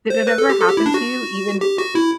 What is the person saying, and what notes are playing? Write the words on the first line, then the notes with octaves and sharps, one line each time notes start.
did it ever happen to you, even
C5
B4
A4
G4
A4
G4
E4
D4
F#4
G4
F#4
E4